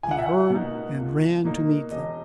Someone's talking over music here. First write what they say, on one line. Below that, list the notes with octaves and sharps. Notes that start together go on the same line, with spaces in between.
He heard, and ran to meet them.
C#2 G#5
F#5
E5
F#5
B2 A#3 D#4
C#2
B2 A#3 D#4
E1 D#5